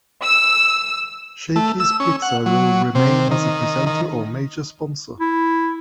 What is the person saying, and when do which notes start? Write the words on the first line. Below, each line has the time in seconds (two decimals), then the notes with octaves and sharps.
Shakey's Pizza will remain as a presenter or major sponsor.
0.24 E6
1.56 A3
1.80 E6
2.00 C#4
2.22 F#5
2.46 F#3
2.95 C3
3.31 D#3
3.86 D#3
5.20 E4